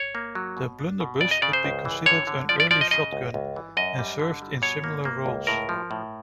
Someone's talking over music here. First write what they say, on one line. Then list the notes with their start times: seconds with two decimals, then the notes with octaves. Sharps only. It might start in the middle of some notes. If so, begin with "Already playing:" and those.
The blunderbuss could be considered an early shotgun, and served in similar roles.
Already playing: C#5
0.15 A#3
0.35 F#3
0.57 B2
0.79 D4
1.00 B2
1.21 C#3 D5
1.31 D#5
1.42 C#3 D5
1.53 C5
1.64 C#2
1.85 E3
2.06 D3 C#5
2.27 D3
2.49 F3 D5
2.60 D5
2.71 F3 D5
2.81 D#5
2.91 C#3 D#5
3.13 C#2
3.34 C#2
3.56 E3
3.77 F#2 D#5
3.98 G3
4.19 D3
4.42 G3
4.62 B2 C#5
4.84 A#3
5.05 A#3
5.26 C#2
5.47 A2 A#4
5.69 F3
5.91 A2